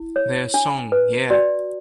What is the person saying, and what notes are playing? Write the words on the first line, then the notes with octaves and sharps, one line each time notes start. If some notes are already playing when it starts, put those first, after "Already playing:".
Their song Yeah!
Already playing: E4
C#5
D4
B4
F#4 D5